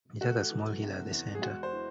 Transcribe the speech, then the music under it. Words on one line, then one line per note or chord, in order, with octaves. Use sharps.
It has a small hill at the center.
A3 F#4
E3
C3
E2
G#4
G#3 F#4
C5
E3